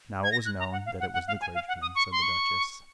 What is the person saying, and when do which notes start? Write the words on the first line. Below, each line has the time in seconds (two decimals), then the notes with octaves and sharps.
"Now it was known that it was the clergyman," said the Duchess.
0.23 G#6
0.32 A#6
0.45 F#6
0.59 A#5
0.72 F#5
0.86 F5
1.00 F#5
1.14 F#5
1.28 F5
1.41 G#5
1.55 F5
1.68 F#5
1.82 D#6
1.95 C#6
2.12 C6
2.22 C#6